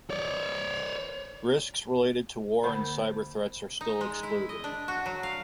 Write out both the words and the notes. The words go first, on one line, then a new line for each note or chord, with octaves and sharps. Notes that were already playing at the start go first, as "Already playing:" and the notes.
Risks related to war and cyber threats are still excluded.
C#5 D5
D3 A#3 C5 B5
D#4
G#3
E4
D#5
D4
F#4
F#3
F5